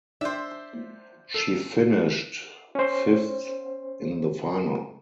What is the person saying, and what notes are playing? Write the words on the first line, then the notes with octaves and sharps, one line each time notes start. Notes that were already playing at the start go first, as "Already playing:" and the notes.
She finished fifth in the final.
D4 C5 E5
A4
C#4 C5